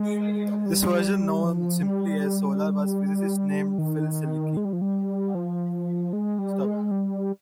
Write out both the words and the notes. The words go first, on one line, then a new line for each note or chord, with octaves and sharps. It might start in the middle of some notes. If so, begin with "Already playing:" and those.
This version, known simply as Solar, was a physicist named Phil Seleski.
Already playing: G#3
G3
F3
G3
D#3
G#3
G3
F3
G3
F3
G#3
G3
G#3
G3